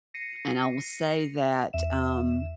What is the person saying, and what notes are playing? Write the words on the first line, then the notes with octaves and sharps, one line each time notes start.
And I will say that, um
A#6 C7 C#7 D#7
E2 E5 E7